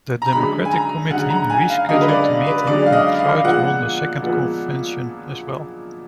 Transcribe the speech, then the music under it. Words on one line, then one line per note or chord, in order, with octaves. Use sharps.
The Democratic Committee rescheduled the meeting and Truitt won the second convention as well.
A#5
F#2 D3 G#3 B5
G#5
A#5
F#2 D3 G#3 F#5
A#5
G#5
F5
F#2 D3 G#3 D#5
B4
D5
B4
F#2 D3 G#3 D5
F5
D#5
F5
A#2 F3 G#3 B3 F#5
A#2 F3 G#3 B3